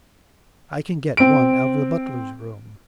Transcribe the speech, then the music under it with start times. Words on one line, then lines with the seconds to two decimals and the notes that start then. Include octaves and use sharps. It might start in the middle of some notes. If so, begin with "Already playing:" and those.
I can get one out of the butler's room.
1.17 C4 D7